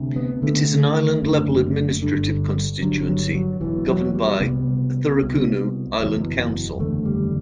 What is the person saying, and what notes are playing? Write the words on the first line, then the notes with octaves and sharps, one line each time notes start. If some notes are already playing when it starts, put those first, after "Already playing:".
It is an island-level administrative constituency governed by the Thuraakunu Island Council.
Already playing: D2 C3
B3
D2 D3 A3
F#1 F#2 D3
G1 G2 D3
G1 G2 D3 F#3
F#3
F#3
E1 E2 B2 E3
F#3
G3
C2 C3 B3
C2 B2
F#1 E2 B2
F#1 E2 D3 A3
G3